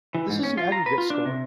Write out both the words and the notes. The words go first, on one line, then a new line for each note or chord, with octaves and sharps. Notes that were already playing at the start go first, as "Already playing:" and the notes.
This is an aggregate score.
E3
G#2
C#4
F4
A#5
B4
F4
D4
C3